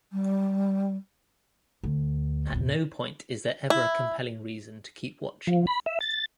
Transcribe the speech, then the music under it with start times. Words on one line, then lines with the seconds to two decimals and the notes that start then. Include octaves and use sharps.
At no point is there ever a compelling reason to keep watching.
0.13 G3
1.84 D2
2.52 A#1 E2
3.70 E4
5.47 F3
5.67 B5
5.86 E5
6.01 A6